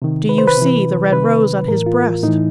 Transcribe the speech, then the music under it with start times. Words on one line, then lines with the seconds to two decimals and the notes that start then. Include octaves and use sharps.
Do you see the red rose on his breast?
0.02 C3 D#3
0.29 B4
0.38 C5
0.47 B4
0.57 C3 E3
1.12 C3 D#3 B4
1.67 A2 E3 A#4
1.86 F4
2.23 A2 E3 D#4